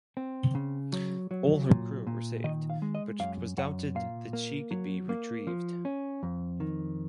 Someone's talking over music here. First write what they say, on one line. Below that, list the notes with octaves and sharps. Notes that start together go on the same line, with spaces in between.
All her crew were saved but it was doubted that she could be retrieved.
C4
C#3
F#3
F#3
A#2
A#2
D#3 D#5
F5
G#3
D#5
F#2 F5
F#2 F#5
A#2 F5
A#3
F#3
A#3
F3
C#4
F2
D#3